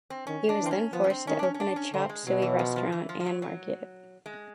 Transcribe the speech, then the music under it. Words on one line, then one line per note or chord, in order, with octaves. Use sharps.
He was then forced to open a chop suey restaurant and market.
C4
D#3 C#4
D4
E3
C4
C#4
F3 B3
C#4
C4
D#3 C#4
D4
C#4
C#4
D4
C#4
D3 C4
G#3
B2 F#3
E3
F3
F3
E3
F3
F3
F#3
F#3
G#3